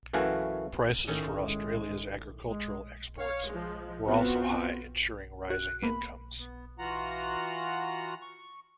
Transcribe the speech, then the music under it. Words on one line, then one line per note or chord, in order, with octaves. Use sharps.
Prices for Australia's agricultural exports were also high, ensuring rising incomes.
F#2 E3 A3 F#4 F5 G#5
A2 D#3 C#4
G#3
G#3
C#5 F5
F3 G#3
B3 C4 F4 F#4 B4
F#4 F#6
A#3 B3 B5
B3
E3 F4 F#4 F#5 A#5
C#6